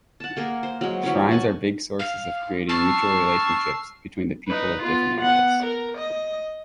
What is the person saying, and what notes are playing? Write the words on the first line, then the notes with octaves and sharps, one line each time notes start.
Shrines are big sources of creating mutual relationships between the people of different areas.
F#5 A5
A#3 G#4 A#4
C5
F#3 G#3
E3 F#3 G#3 C#4
F#4 F#5 G#5 A5
F5
A5 C#6 E6 F6 C7
D#4 B4
B3 F4
B3 F#5
A#4
D#5